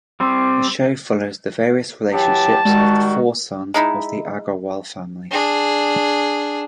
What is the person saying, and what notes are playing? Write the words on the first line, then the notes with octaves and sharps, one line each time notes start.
The shows follows the various relationships of the four sons of the Aggarwal family.
G3 C4
E3 F#3 G4 A5
D#3 G3 G#3 F#4
G#3 D#4 E4
D4 G#4